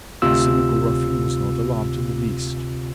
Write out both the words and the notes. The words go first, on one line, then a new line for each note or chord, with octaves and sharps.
The cynical ruffian was not alarmed in the least.
D2 C3 F4 E6